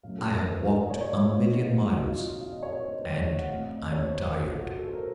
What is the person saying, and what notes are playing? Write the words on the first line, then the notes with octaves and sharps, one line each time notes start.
I have walked a million miles, and I'm tired.
A2 F#3 A#3 C#4 F5
A4
A#4
C5
A#4
D#5
C#5
C#5
C5
F4
F4
D#4
F4
F2 C3 F#3 F4
F#4
D#4
F4
D#5
F5
F5
D#5
C#5
C#5
C5
C5
C#5
D#5
F#5
A2 A3 C4 F5
D#5
C#5
C5
A#4
A4
F4
F#4
A4
C5
A#4